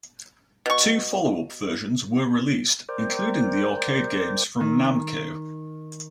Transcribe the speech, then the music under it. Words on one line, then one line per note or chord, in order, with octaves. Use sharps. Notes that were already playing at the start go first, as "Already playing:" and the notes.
Two follow up versions were released, including the arcade games from Namco.
B2 C#6
A#4 C5 D5 G5
D#3